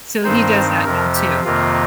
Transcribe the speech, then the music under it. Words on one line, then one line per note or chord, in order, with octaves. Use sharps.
So, he does that now too.
G2 D#3 C4 D#4 C5
F2 C3 F3 A#4
G4
F2 C3 D#3 A#3 F4